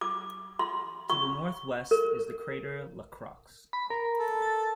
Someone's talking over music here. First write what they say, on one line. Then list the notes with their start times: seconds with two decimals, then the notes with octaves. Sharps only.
To the northwest is the crater Lacroix.
0.01 D6
0.59 C6
1.10 C#6
1.91 A#4
3.73 B5
3.90 A#4
4.19 A4
4.42 A6